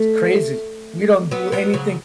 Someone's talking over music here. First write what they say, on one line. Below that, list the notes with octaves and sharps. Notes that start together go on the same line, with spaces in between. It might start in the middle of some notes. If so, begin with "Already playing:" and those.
It's crazy. We don't do anything
Already playing: A3
F#3 B3
F#3 B3
C#3 F#3